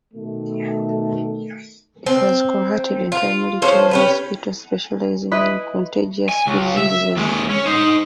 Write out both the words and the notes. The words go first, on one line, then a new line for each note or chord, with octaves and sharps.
It was converted into a military hospital specialising in contagious diseases.
B2 D#3 A3
C4
F4
F3 C#4 C5
C#4 G4 B4
E4 B4 D#5
G#5
C#2
E5
D#2 G#3
C#4
D#4 C5